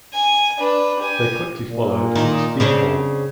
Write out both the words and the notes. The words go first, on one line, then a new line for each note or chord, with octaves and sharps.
They quickly followed with "Speedball".
G#5
D4 B4
G4 G#5
A#2
D#3
C#3 C4 D4